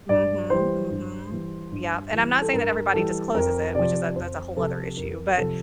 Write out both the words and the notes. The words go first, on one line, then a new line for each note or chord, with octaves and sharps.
Mhm, mhm. Yep, and I'm not saying that everybody discloses it, which is that that's a whole other issue. But,
G2 D5
E3 G3 C5
G2
E3 G3
G2
E3 G3
A4
G2 A#4
E3 G3 A4
F2 A#4
C3 F3 D5
F2 C5
C3 F3 A4
F2 A#4
C3 F3 A4